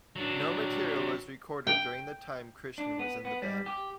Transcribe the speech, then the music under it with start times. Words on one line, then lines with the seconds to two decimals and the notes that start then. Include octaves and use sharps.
No material was recorded during the time Christian was in the band.
0.16 F#3 D4
1.67 G5
2.78 D4
2.99 B3
3.25 B3
3.42 G3
3.66 G4